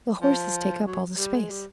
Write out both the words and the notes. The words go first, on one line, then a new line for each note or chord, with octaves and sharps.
"The horses take up all the space."
F3
F#3
G3
G#3
G3